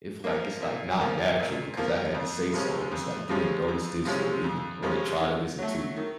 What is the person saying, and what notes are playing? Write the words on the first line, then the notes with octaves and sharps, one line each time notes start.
If like it's like not natural because I had to say something, it's like, you didn't notice this or even wanna try to listen to
F3 A#3
A#2
F3 A#3
A#2
F3 A#3
F2
C3 F3 G#3 C#4
F2
C3 F3 G#3 C#4
F2
C3 F3 G#3 C#4
F2
C3 F3 G#3 C#4
D#3
F#3 A3
D#3